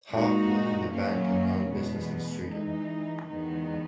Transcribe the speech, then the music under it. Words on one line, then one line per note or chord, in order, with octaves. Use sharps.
Hart worked in the bank and loan business in Streator.
A#2 G#3 D#4 F#4
F#2 D#3 F#3 A#3 C#4
E2 B2 G#3 B3
E3 G#3 D#4
E2 D#3 G#3 B3 D#4